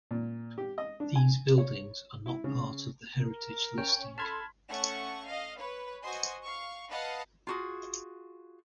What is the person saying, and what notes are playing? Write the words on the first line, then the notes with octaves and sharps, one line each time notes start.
These buildings are not part of the heritage listing.
A#2
G4
D#5
D4
G#5
C#5
E4
C#3
A#4
C#4 G5
A4 A5 B5 C6 F6 G#6 B6
A3 C#4 F#5 C#6
D#5 F5
B4 C#5
F#4 C5 D#5 G#5 C6
F5 C#6
B4 D#5 F5 F#5 A5
F4 F#4 G#4